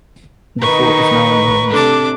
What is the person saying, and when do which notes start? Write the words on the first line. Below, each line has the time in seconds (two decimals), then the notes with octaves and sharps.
The fort is now in ruins.
0.61 D#3 D#4 A#4 B4 C#6
1.70 A2 C3 D4 A4 A5 D6